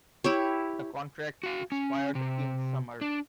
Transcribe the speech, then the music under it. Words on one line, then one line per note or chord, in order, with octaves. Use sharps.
The contract expired in summer.
E4 G4 C#5
F#4 F5
C#4
C3
D4